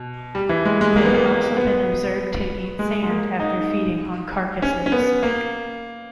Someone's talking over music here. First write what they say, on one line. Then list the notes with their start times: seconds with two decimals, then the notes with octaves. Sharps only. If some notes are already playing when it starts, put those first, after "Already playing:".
They have also been observed to eat sand after feeding on carcasses.
Already playing: B2
0.35 G3
0.49 E3
0.65 G#3
0.81 G#3
0.96 A#3
1.05 B3
1.14 A#3
1.26 A#3
1.57 B3
2.79 G#3
3.03 G#3
3.09 A#3
3.40 D#4
4.62 C#4
4.86 C#4
4.92 B3
5.23 A#3